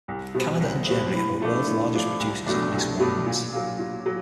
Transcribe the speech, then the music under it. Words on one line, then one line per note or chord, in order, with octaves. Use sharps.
Canada and Germany are the world's largest producers of ice wines.
C2
B2 G3 C4
C2
B2 G3 C4
A2
F3 A3 D4
A2
F3 A3 D4
C2
B2 F#3 A3 D4
C2
B2 F#3 A3 D4
A#2
F#3 A#3
A#2
F#3